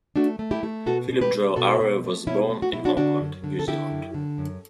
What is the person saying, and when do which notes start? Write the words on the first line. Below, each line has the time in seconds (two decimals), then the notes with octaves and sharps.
Philip Joel Urry was born in Auckland, New Zealand.
0.16 A3 D4 F#4
0.39 A3
0.51 E4 G4
0.63 A3
0.86 B2 F#4 A4
1.10 B2
1.21 G4 B4
1.33 B2
1.56 B2 F#4 A4
1.80 B2
2.04 A3
2.27 B2 C#4 E4
2.50 A3
2.62 F#4
2.73 B2 E4
2.85 D4 F#4
2.97 D3 D4 F#4
3.21 F#2
3.44 D3
3.59 A4
3.67 D3 E4 G4
3.91 F#2
4.14 D3
4.38 F#2